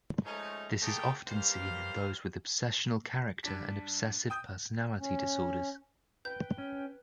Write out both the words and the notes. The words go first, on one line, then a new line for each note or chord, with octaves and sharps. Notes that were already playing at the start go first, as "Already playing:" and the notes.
This is often seen in those with obsessional character and obsessive personality disorders.
F3 G#3 A3 C#4 D#4
A3 A#3 G#4 C#5 G5
B2 G3 A#3 C5 F5
G2 D4 B6
G5 D#6 G6
C#4
B4 G5 G6
C#4